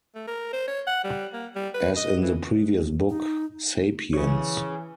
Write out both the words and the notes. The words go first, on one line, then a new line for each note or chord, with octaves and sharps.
As in the previous book, “Sapiens.
A3
A#4
C5
C#5
F#5
G3
A#3
G3
B4
D#5
E3
D#4
E3 G#4 C#5